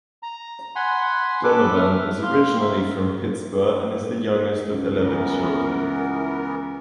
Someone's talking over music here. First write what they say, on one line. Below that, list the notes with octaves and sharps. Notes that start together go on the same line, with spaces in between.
Donovan is originally from Pittsburgh and is the youngest of eleven children.
A#5
F#5 G#5 B5 C6
A4 B4 D6
E5 F6
F5 C6
E5
C#2
E3 B3 A#4